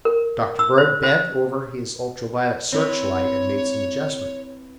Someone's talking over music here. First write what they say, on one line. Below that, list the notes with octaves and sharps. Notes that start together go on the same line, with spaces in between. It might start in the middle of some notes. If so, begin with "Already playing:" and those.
Dr. Bird bent over his ultra-violet search-light and made some adjustments.
A#4
E6
C5
C5
C4 E4 B4 C#5